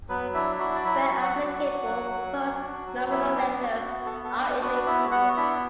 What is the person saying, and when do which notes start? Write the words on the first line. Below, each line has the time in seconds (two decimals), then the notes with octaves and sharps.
Where applicable, post-nominal letters are indicated.
0.09 F#3 B3 B4
0.34 D4 E4 E5
0.59 E4 F#4 E5
0.76 D5
0.84 F#3 E4 E5
1.10 F#3
1.22 F#4 F#5
1.35 D4
1.59 F#4
1.84 F#3
2.10 F#3
2.35 D4
2.61 F#4
2.86 F#3
3.11 B3 E4 E5
3.35 D4
3.61 F#4
3.86 B3
4.05 A4
4.11 B3
4.24 A4
4.36 D4
4.42 B3 B4
4.61 B3 F#4 B4
4.86 B3 E4 E5
5.11 B3 F#4 F#5
5.37 D4 E4 E5